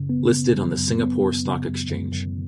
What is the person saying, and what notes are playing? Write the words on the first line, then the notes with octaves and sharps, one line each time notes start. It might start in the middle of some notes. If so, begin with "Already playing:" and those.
Listed on the Singapore Stock Exchange.
Already playing: F#2 C#3
B3
C#3
F#3
F#2
B3
F#2
C#3
F#2
F#2
F#2